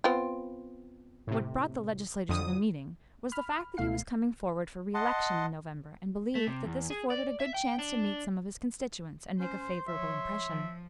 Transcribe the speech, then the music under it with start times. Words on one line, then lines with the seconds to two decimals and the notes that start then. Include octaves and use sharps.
What brought the legislator to the meeting was the fact that he was coming forward for re-election in November, and believed that this afforded a good chance to meet some of his constituents and make a favorable impression.
0.04 B3 C4 F4
1.27 A2 C3
2.29 F2 D3 D#6
3.32 B5 F6
3.77 C#2 B2 A3 F5 C7
4.94 D#5 F#5 A5 C6
6.35 A3
6.47 C3
6.65 E2
6.90 G#4
7.10 D5
7.40 E5
7.54 G5
7.79 D4
9.39 C#4 C5 C6
9.88 F3 C#5 E5
10.48 F3